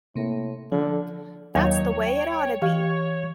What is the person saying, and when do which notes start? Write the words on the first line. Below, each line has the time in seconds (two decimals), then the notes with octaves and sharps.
That's the way it oughtta be!
0.16 A2 C3 A#3
0.72 D3 F3
1.55 D#2 F#3 D#4 C#5
2.05 G5
2.62 E3 G4 F5 C#6